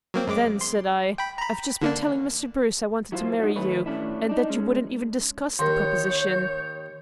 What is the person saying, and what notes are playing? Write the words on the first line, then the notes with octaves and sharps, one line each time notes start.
'Then,' said I, 'I've just been telling Mr. Bruce I wanted to marry you, and that you wouldn't even discuss the proposition.
F#3 A#3 C4
F#2 G#3 D6
C6
G5 B5
A#5 B5
D3 A#3 D4
F#3 E4 F4 B4 C5
F#3 A3 D#4
A2 D#3 A3 B4 C#5
A2 A3 C#4 D4 E4
D4 D#4
G#3 C#4
D#2 A#4 C#5 C6 G6